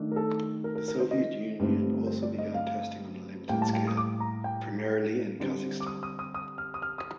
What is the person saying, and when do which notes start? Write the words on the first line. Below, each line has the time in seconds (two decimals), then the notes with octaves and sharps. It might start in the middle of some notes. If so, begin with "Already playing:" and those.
The Soviet Union also began testing on a limited scale, primarily in Kazakhstan.
Already playing: D#3 A3 D4
0.11 A#4
0.16 A4
0.64 A#4
0.75 A#4
0.88 A#4
1.00 C5
1.11 D#5
1.60 G2 D3 A3 C4
2.06 C5
2.22 D5
2.38 D#5
2.54 F5
3.49 A2 G3 A#3 G5
3.62 A5
3.73 G5
3.87 D#6
3.97 D6
4.20 A#5
4.44 G5
5.40 D3 G3 C4
5.80 D6
5.87 D#6
6.03 D#6
6.19 D#6
6.34 D#6
6.58 F6
6.74 D#6
6.82 F6
6.98 D#6